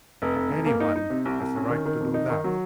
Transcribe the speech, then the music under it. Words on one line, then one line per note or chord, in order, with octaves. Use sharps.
Any one has a right to do that.
F1
F1
F1
A#3
D#4
D#4
C3
C2
C2
C#4
D#3
D#3
F2
D#4
D#3
F#3